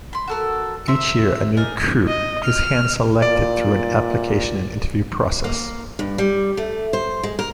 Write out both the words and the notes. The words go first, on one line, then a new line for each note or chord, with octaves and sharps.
Each year a new Krewe is hand selected through an application and interview process.
B5 C6
F#4 A4 A#4
C5 E5 A#5
D#4 G#4 A#4 D5
D#5
F6
A#2 D5
A#3
G2
G3
A3
C5
G#3
A#4